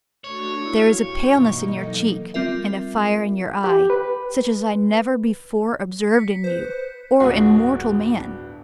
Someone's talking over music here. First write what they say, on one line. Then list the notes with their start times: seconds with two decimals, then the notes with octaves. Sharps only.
There is a paleness in your cheek, and a fire in your eye, such as I never before observed in you, or in mortal man.
0.24 A3 D4 F#4 C#5
0.64 B3 E4 F#4 F5
0.95 G2 G5
1.35 B2 E3 F3 A#3 D#4
1.74 E3 F#3 A4
2.34 G3 C4 F4 A#4 E5
3.64 G4
3.90 B4
6.15 B6 C#7
6.44 B4 C5
7.20 D1 G2 B3 D4 F4 F#4 G#4 F#5